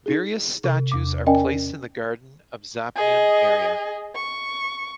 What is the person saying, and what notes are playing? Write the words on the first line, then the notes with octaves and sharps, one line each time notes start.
Various statues are placed in the gardens of Zappeion area.
D#4 G#4
C3
E2 D6
C#4 A#4 D5 D#5 G5 G#5
G#4 D#5
C#6